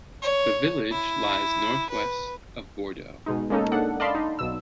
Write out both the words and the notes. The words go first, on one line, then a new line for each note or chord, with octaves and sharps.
The village lies northwest of Bordeaux.
C#5
E4
B4
B2 G#3 D#4
G#3 A#3 C#4 D#4 A4
A#3 D4 D#4 A4 F#5
D5 D#5 F5 A5 B5 C6
D#4
B1 B2 E6